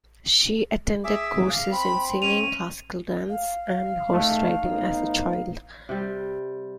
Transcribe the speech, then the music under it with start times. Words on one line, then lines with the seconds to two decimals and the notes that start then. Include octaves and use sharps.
She attended courses in singing, classical dance, and horse-riding as a child.
1.04 G#4 E5 D6
1.49 F5
1.71 C4 B5
2.22 C#4 D#7 F7
3.29 F5
4.10 G#2 A3
4.63 A2 B3 D#4
5.89 C3 G3